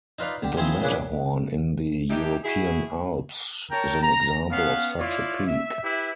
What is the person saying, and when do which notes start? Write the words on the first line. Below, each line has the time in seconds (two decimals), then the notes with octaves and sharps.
The Matterhorn in the European Alps is an example of such a peak.
0.19 D#4 F4 B4 D5 F5
0.43 D3 G4
0.57 F3 C4 E4 G#4
0.82 A#2 C#3 D4 G#4 B4 D6
2.09 E3 A3 D#4 G4
2.44 E4 F#4 G#4
3.70 A#4 C#5 G5 A5 A#5
4.02 A#5
4.51 B3 C#4 F5
4.97 E4 F4 C#5 D5
5.45 E5
5.82 E4 G4 B4 E5